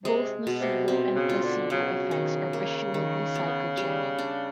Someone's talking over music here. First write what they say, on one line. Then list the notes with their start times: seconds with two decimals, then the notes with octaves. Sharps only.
Both nocebo and placebo effects are presumably psychogenic.
0.04 C3 G#3
0.47 B2
0.61 C3
0.88 C3 C4
1.15 C#3
1.30 F4
1.43 D3
1.70 C#3 F#3
2.11 D#3
2.53 A#3
2.94 D#3
3.35 B3
3.77 G3
4.18 D4